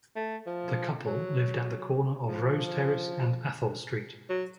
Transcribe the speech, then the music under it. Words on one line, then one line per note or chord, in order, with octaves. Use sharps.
The couple lived at the corner of Rose Terrace and Atholl Street.
A3
F3
F#3
F3
F#3